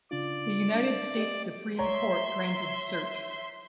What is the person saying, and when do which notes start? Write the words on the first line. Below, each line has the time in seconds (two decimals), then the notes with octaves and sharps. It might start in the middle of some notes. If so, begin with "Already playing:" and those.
The United States Supreme Court granted cert.
0.11 C#3 D4 F4 D5
0.75 D4
1.17 G4 D#5
1.79 C#5 E5 A#5 C6